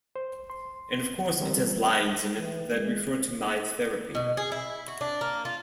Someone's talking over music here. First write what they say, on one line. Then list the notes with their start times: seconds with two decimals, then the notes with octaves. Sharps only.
And of course it has lines in it that referred to my therapy.
0.16 C5
0.50 C6
1.40 E3 G3 C4 A#4
2.38 E3
2.71 G#3
4.15 B2
4.37 G#4
4.52 E4
4.88 F#4
5.01 D4
5.21 A#3
5.45 F4